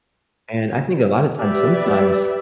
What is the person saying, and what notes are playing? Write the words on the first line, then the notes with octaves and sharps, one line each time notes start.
and I think a lotta times sometimes,
G4 B4 D5 E5